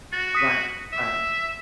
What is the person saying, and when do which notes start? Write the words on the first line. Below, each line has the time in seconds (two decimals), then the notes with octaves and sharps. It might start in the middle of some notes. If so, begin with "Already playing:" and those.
Right, right.
0.13 F#4 A6
0.35 D#6 B6 D#7
0.92 E5